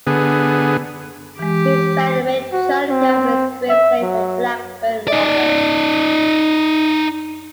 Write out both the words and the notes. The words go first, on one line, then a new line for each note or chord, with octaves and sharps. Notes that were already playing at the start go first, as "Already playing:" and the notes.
He spent the majority of his career playing for Blackburn Rovers.
D3 B3 G#4
E3 G#3 G4
F#4
C4
E5
F#3
D#4 D5